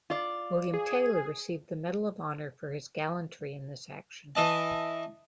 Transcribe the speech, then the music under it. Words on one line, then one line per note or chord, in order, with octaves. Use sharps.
William Taylor received the Medal of Honor for his gallantry in this action.
F4 D5
G#4
E3 D#5 A5